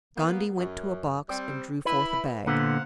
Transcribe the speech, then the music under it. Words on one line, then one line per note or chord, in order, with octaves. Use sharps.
Gondy went to a box and drew forth a bag.
A#3 B3
F#2
G3 C4
E4 B4 B5
A#2 D3 B3 C5 F5 F#5